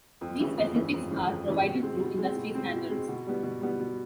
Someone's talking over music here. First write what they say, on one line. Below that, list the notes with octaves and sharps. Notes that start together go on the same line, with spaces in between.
These specifics are provided through industry standards.
F2
C#3 E3
F2
C#3 E3
F2
C#3 E3
F2
C#3 E3
B2
G#3 C4
B2
G#3 C4
B2
G#3 C4
B2
G#3 C4
B2
G3 B3
B2
G3 B3
B2